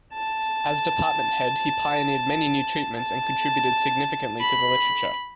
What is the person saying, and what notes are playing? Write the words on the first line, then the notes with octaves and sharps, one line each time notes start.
As department head he pioneered many new treatments and contributed significantly to the literature.
A5
A5
B5